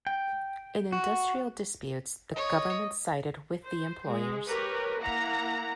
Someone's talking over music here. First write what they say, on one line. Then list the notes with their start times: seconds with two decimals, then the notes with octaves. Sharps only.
In industrial disputes, the government sided with the employers.
0.07 G5
0.92 F#4
2.35 C#5 D#5
3.62 C5
4.07 G#3
4.47 G4 A#4 B4 C#5
4.98 A#3 E4 F#5 A#5